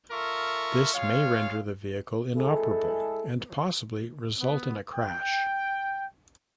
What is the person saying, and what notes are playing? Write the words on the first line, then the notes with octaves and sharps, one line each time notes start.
This may render the vehicle inoperable and possibly result in a crash.
F4 A4 A#4 E5 C#6
G#3 F4 C#5 F5
G#3 E4 G#4 A4
B3
G5